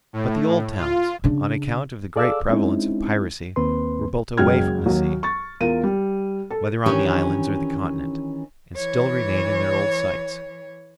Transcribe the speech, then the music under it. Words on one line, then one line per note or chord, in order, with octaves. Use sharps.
But the old towns, on account of the great prevalence of piracy, were built away from the sea, whether on the islands or the continent, and still remain in their old sites.
A2
F4
C#3 D4
G#4 A4 D5 F5 D6 E6
G#3 C4 C#4 D#4 E4
D#2 A#3 C4 B4 C6
F#1 F#3 G#3 G5 F6 G#6
D#2 F#3
C#6 A6
E2 F4 A#4 D#7
G3
A4
D#3 E3 C#4 D4 G4 C#5
E3 C#5